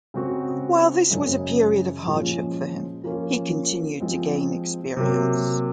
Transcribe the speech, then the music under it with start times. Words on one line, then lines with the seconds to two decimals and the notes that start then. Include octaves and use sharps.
While this was a period of hardship for him, he continued to gain experience.
0.14 C#3 G#3 C4 F#4
1.11 F#2 C#3 G#3
2.07 A#2 F3 G#3 C#4
3.04 F3 A#3 C#4 F4
4.00 F3 G#3 C4
4.97 C3 F#3 A#3